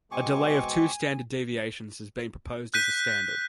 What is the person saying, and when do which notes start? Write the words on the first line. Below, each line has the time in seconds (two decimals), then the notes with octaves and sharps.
A delay of two standard deviations has been proposed as a standard.
0.12 B2 G#3 C4 G#5 C#6 D6
2.74 F#6 G6 B6 D#7